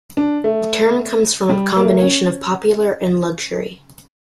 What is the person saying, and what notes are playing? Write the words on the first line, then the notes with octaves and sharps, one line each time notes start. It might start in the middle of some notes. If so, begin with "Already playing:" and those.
The term comes from a combination of popular and luxury.
D4
A3
G3
A#3
A3
A#3
C#4